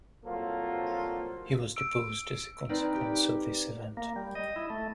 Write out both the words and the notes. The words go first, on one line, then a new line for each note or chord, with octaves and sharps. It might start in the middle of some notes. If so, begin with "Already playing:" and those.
He was deposed as a consequence of this event.
C2 F#3 A#3 F4 A4 C5
E6 D7
C4 D#4 A#4 B4 D5
G4 D6
A#3
G3
D#5
E4
A3